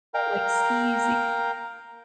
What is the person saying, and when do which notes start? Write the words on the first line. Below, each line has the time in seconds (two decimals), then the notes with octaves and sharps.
like, skeezy.
0.14 A#4 F5 G5 A#5